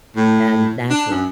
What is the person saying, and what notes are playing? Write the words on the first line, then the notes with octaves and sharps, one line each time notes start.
and natural,
A2
D4
F#2